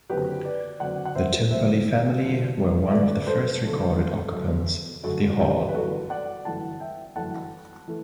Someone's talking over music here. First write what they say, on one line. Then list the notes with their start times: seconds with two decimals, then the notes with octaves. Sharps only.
The Timperley family were one of the first recorded occupants of the Hall.
0.09 F#1 F#2 D3 F#3 C4 G4 B4
0.45 B4 D5
0.80 F#1 F#2 D3 F#3 C4 D5 F#5
1.05 F#5
1.15 C5 E5
1.51 F#1 F#2 D3 F#3 C4 C5 E5
2.22 F#1 F#2 D3 F#3 C4
2.86 E5
2.92 F#2 D3 A3 B4 D5
3.22 B4
3.27 A4 C5
3.62 F#2 D3 A3
4.33 F#2 D3 A3
5.04 F#2 D3 A3 F#4 A4
5.39 G4
5.69 B4
5.74 G1 F#2 E3 A3 F#4 A4
6.10 D5 F#5
6.45 G1 F#2 E3 A3 F#5 A5
6.80 E5 G5
7.16 G1 F#2 E3 A3 F#5 A5
7.88 E3 A3